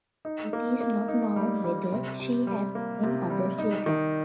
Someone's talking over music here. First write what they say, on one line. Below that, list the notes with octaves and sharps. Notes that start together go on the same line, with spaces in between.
It is not known whether she had any other children.
D#4
A#3
A#3
D#4
G3
G3
C3
C3
G3
A#3
C3
G3
D#4
D#3